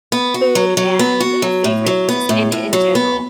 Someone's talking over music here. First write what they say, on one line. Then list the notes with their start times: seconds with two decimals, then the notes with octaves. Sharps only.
food and a favorite just in in general?
0.12 B3
0.34 F#4
0.55 F#3
0.77 F#3
0.99 B3
1.20 F#4
1.42 F#3
1.64 A2
1.86 F#3
2.09 B3
2.29 A2
2.52 A2
2.73 F#3
2.95 B3